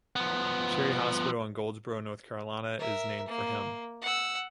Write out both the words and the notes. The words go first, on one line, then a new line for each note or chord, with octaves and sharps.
Cherry Hospital in Goldsboro, North Carolina, is named for him.
F3 B3
A#4 E5
A#3
F#5 E6